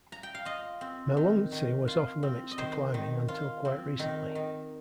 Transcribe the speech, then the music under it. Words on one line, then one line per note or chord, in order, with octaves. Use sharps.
Melungtse was off limits to climbing until quite recently.
A#5
G5
F5
F4 D#5
C4
D#3
D#3
F4
C4
D#5
D#3 C5
D#3
F4
C4
D#3
D#3